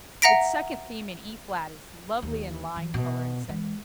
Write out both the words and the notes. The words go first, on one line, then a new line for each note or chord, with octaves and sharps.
Its second theme in E flat is lovely in line, color and sentiment.
E5 F#5 A#5 A#6 B6 D7
D#2
E3
B2
E3 G#3